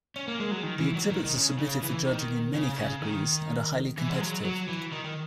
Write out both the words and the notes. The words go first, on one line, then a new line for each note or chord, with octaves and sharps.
The exhibits are submitted for judging in many categories, and are highly competitive.
C#4
A#3
G#3
F#3
D#3
E3
F#3
D#3
D#3
C#3
C#3
E3
D#3
C#3
C#3
D#3
E3
G#3
F#3
F#3
E3
D#3
D#3